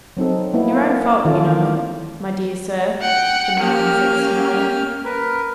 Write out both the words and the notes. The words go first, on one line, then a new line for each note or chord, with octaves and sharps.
"Your own fault, you know, my dear sir," Fanarin said, smiling.
F#3 C4 D#4 A4
A#3 B3 E4
D#3 E3 C#4 F4 A4 D5
F#5 G5
A#3 C#4 G4 F6
A#4 B4